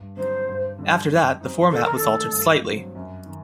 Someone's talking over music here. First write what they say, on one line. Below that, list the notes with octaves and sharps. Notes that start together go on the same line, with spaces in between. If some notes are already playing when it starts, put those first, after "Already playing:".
After that, the format was altered slightly.
Already playing: G2
D3 F#3 C4 D#4 C5
G2
D3 G3 D4
F#2
F#3 C4 D#4
D#3 A4
A#4
A4
A3 D4
G2
F#3 C4
F#2
D#3